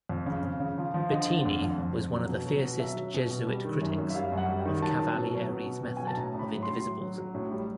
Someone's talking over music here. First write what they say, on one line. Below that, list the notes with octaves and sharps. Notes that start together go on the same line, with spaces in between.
Bettini was one of the fiercest Jesuit critics of Cavalieri's method of Indivisibles.
F2
C#3
F2
C#3
F3
F3
D3 D#5
D3
F2
F2
F2
F2
F#3
B2
F#3
B2
F#3 E5
F#3
B2
B2
G3
D#3
F#2
F#2
E5
G3 F5
F#2
F#5
G3
G5
D#3
F#3 A5
F#3
B2
F#3
B2
B2
B2
F#3 G#5
A5
A2 A#5
A2 B5
F#3
A2 C6
F#3
F#3
F#3
A2
G3